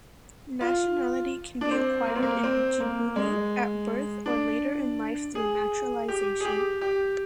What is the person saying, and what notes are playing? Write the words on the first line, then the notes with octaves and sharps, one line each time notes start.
Nationality can be acquired in Djibouti at birth or later in life through naturalization.
F4
D4
C4
A#3
C4
A#3
C4
A#3
G#3
D4
G#4
G4
G#4
G4
G4